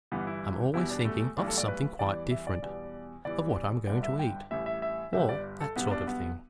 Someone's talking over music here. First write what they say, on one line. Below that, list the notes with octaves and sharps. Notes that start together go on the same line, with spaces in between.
I'm always thinking of something quite different,--of what I'm going to eat, or that sort of thing.
G1 G2 E3 G3 B3
E4
E2 B2 G3 E4
D4
A3
B1 A2 E3 G3 D4
A4
D5
B4
E2 E3 G3 D5
E5
D5
E2 B2 G3
E2 E3 G3 D5
G1 G2 D3 D5
E5
G5
A1 A2 G3 E5
E5
E5
G1 G2 G3 E5
D5
A4
B1 B2 G3 B3
D4
B3